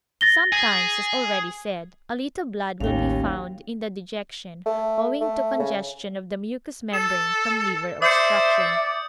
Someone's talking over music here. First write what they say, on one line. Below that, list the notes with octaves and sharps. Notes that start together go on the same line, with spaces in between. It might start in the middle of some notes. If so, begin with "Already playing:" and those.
Sometimes, as already said, a little blood will be found in the dejection, owing to congestion of the mucous membrane from liver obstruction.
A6 A#6 G7
G#4
A1 D#2 C#4 F5 G5
A3
A3
C#3
A4 E7
C5 D5 E5 D#6 G6 C#7